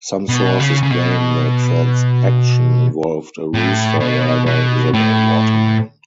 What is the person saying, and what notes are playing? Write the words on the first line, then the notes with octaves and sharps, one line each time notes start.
Some sources claim the transaction involved a rooster rather than a watermelon.
B2
C#3
C#3
B2
A2
B2
B2
A2